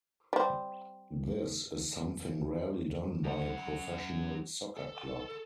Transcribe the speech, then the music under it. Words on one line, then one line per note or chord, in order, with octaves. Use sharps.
This is something rarely done by a professional soccer club.
G3 C4
F#2 F#5
A4